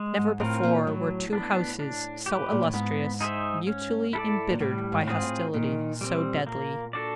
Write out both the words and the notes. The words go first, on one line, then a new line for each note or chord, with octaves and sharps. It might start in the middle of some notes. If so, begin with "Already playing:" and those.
Never before were two houses so illustrious, mutually embittered by hostility so deadly.
Already playing: G#3
G#2
A2 C4 F4 A#4
A#2
A2 F#3
B3 D4
D4
G4
B4
A#2
A2
G#2 B3
D#4 G#4 C5 E5
C#4
E4 A4 D5
A#2
A2 G3
G#2
A2
G#2 C4 F4 G#4
A2
A#2 D#3
G3 C4
A#3
D4 F#4 A4 D5